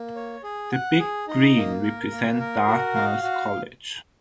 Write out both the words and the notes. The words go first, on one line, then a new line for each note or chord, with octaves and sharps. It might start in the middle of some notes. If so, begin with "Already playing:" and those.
The Big Green represent Dartmouth College.
Already playing: A#3
C#5
G#4
F#5
G#4
D#4
A#3
A#4
A#3
A#4
F#4
F5
F#4